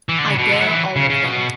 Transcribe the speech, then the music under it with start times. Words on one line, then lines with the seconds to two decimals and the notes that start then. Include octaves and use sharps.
I bear all of them.
0.09 E3
0.18 D3
0.29 C#3
0.38 B2
0.52 D3
0.61 F#3
0.67 E3
0.96 C#3
1.10 C#3
1.24 B2